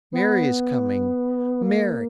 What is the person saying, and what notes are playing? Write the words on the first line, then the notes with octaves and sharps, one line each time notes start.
Mary is coming! Mary!
B3
A#3